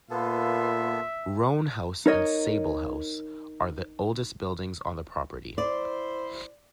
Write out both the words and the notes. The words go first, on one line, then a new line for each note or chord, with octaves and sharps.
Roan House and Sable House are the oldest buildings on the property.
A#2 A#3 B3 A4 B4 E5 F5 C6
D#4 A#4 C#5 D#5
E4 C5 D5